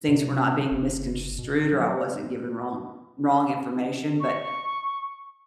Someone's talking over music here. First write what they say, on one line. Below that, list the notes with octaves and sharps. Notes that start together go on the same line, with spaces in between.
things were not being misconstrued or I wasn't given wrong wrong information, but
C3
F#1
B2
F#3
C#6